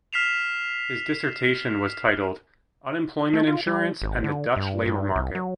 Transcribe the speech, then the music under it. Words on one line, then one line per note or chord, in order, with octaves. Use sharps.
His dissertation was titled "Unemployment insurance and the Dutch labour market".
F6 B6 C7 E7 F7
A3
F4
G3
G#1
D3
G2
G2
C2
F#3